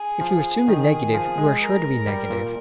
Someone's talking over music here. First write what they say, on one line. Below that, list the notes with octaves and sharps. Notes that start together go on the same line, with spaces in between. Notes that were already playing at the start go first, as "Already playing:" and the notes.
If you assume the negative you are sure to be negative.
Already playing: G#4
F3
D#3 G#4
F3
G#3
A#4
G3
A#2